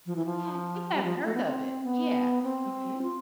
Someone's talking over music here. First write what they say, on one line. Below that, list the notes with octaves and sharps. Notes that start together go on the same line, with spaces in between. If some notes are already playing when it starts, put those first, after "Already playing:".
Yeah, I think I've heard of it. Yeah, mhm.
F3
E3
F3
G3
F3
A3
B3
C4
B3
C4
F4